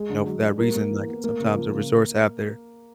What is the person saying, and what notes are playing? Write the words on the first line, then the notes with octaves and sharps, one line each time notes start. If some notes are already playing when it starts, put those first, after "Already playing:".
know, for that reason, like, sometimes the resorts have their
Already playing: G#3 G#4
D3
F#3
D4
G3 A#3 A#4
G#2
E3
B3
A3 A#3 A#4
C#3
F3
C#3